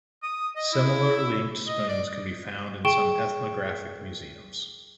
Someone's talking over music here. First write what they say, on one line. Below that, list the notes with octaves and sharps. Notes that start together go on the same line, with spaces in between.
Similar linked spoons can be found in some ethnographic museums.
D#6
D#5
E4
D#5
D5
G#4 G5 C#6 D7 E7 G7